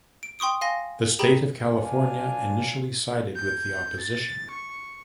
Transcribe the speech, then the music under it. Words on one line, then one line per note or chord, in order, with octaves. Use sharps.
The state of California initially sided with the opposition.
D7
G5 C6 C#6 D#6 D7
F5 G#5 C6 A#6
G4 G#4 G5 A#5 B5
F#2 D4 F4 G#5
G6
A6
C#6